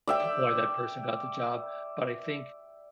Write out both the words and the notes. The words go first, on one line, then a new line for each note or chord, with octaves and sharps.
why that person got the job, but I think
D5 E5 G5